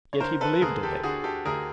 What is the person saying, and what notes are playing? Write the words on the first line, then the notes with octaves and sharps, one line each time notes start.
Yet he believed in it.
C#5
D3 A#4 C5
A4 B4
D2 G#4 A#4
G4 A4
D3 F#4 G#4
G4 A4
D2 G#4 A#4